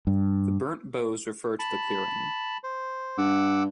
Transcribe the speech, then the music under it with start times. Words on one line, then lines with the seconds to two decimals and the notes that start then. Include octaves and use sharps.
The burnt boughs refer to the clearing.
0.07 G2
1.59 A5 B5
2.64 C5
3.18 G2 F#5 D6 E6